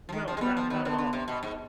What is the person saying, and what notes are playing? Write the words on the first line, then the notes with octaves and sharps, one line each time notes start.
No. Not not at all.
F3
D#3
F3
G#3
G3 B3
F3
D#3 B3
D3
D3
C3
B2
G#2